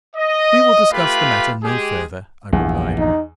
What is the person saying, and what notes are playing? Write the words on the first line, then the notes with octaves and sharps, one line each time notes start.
"We will discuss the matter no further," I replied.
D#5
A3 F4 G4 B4 F5 B5
G#3 G4 G#4
A#1 E2 G2
D#4